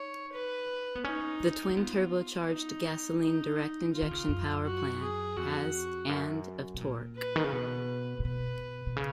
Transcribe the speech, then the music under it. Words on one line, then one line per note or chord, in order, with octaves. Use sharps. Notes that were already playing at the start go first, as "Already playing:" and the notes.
The twin-turbocharged, gasoline direct injection power plant has and of torque.
Already playing: D#4 C#5
B4
B3
C#4 D#4
C#4
C#4
B3 F4
D#4
D#4
C#3 F4
D#3
C#3
F#2
F#4
G#4
F2 F#4
F#2
B2
A#2
B4
D#3
C#3
B2 B4
A#2
B2 B4
B2
C#3